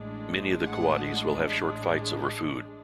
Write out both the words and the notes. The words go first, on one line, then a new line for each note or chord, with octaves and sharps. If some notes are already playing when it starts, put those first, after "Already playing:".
Many of the coatis will have short fights over food.
Already playing: A1 A2 G#3 D4
F#5